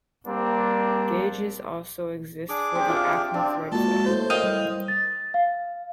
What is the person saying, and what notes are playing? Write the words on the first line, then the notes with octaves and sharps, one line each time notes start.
Gauges also exist for the Acme thread form.
G3 A#3 C4 D4
D4 G#4 D6
C4 G4
F4 E5 F5
C4 D4
A#2 G#3 A#3 F#4 A5
A2 C5
A#4 D#5 F5 G5
G3
A6
F5